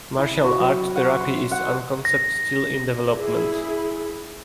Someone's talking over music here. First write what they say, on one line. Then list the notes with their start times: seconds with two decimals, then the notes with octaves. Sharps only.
Martial arts therapy is a concept still in development.
0.18 E4
0.44 F#4
0.59 F#3
0.96 F#5
1.21 C6
1.51 F#5
2.05 A#6
3.15 E4 G#4